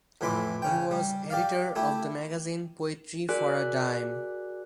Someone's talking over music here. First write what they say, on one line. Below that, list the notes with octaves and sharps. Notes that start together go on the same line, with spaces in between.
He was editor of the magazine "Poetry for a Dime".
F2 A2 E3 B5 C6 D6
C#3 C#4 G5
G3
G4 D5 F5
A3 E4 G4
F#4 G#4 A#4 D5 G#5 F#6